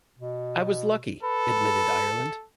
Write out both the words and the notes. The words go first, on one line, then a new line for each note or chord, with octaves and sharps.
"I was lucky," admitted Ireland.
B2
A4 B4